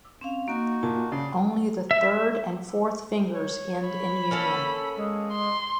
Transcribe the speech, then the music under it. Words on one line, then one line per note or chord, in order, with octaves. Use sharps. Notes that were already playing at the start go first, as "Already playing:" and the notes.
Only the third and fourth fingers end in union.
C4 C#4 F5
A#3 D#4 F#4
A#2 A5
C#3 D5 C6
E5
C#5
B5
A#3 C#4 A4
G#3
C6